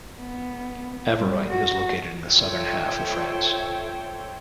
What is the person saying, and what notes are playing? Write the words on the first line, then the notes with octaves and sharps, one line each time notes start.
Averoigne is located in the southern half of France.
B3
G3
F#4
F4 A4 C5 C#5 E5 G5